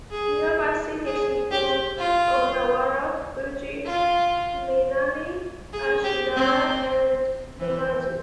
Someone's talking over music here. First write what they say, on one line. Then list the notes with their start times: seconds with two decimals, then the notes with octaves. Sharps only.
Nearby cities include Odawara, Fuji, Minami Ashigara, and Numazu.
0.11 G#4
1.05 G#4
1.51 G4
1.98 F4
3.85 F4
5.73 G#4
6.04 G4
6.35 C4
7.60 E3